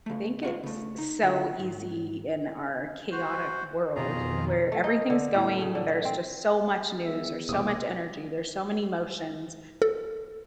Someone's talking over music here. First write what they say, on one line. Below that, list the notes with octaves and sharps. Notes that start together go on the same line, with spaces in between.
I think it's so easy in our chaotic world where everything's going, there's just so much news or so much energy, there's so many emotions
C#3 A3
C#2 F4 F#5
C#3 A3
D#4
D3 D4 F4 A4
G#2
F#4 C5
F2 B2 D#3 F4 G#4 A#5
A3
D#4
D3
A2
C#3
D3
C4
E2 E5
B1 C3 A#3 D6 D#6
A4